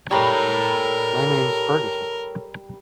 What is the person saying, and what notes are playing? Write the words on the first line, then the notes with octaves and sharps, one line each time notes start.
My name's Ferguson.
G3 A4 A#4 C#5 A#5 B5